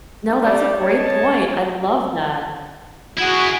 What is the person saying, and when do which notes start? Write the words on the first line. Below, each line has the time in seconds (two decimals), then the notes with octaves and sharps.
No, that's a great point, I love that.
0.40 G3
0.79 C#5 D#5 A5
3.17 E4 F#4 G#4